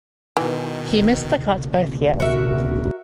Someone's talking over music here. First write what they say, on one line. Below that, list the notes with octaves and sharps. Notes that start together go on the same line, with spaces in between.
He missed the cut both years.
B2 D#3 E3
F#4 A#4 E5